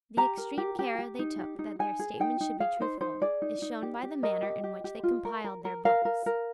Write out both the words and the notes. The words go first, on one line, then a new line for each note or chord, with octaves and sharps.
The extreme care they took that their statements should be truthful is shown by the manner in which they compiled their books.
G4 A#5
A#4
G4
G4
G4
D#4
G4
D#4
D#4 G#5
G#4
D#4 G5
D#4
G#4 F5
D#4 C5
D#4 C5
G#4 D5
D#4
D#4
G4
G4
A#4 D#5
G4
G4
G4
F4
A#4
A#4
A#4
A#4 F5
A#4
A#4